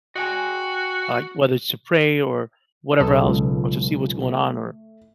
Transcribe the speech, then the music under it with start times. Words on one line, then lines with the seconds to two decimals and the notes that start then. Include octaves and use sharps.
like, whether it's to pray or whatever else or to see what's going on or
0.16 F#4 D#5 G5 G#5
3.00 B1 A4 D#5
3.23 C#2 C#3
4.28 A3